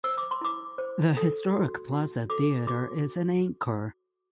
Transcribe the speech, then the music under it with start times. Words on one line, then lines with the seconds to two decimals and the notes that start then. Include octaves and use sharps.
The historic Plaza Theatre is an anchor.
0.04 C5 E6
0.18 D6
0.31 C6
0.41 E4 D6
0.78 C5
1.17 A4
1.54 F#4
1.92 F#4
2.29 A4 D6
2.67 F#4 D6